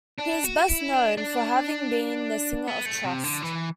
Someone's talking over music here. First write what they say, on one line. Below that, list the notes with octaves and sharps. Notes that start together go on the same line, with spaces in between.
He is best known for having been the singer of Trust.
D4
F#4
E4
D4
D4
B3
A3
C3
D3
E3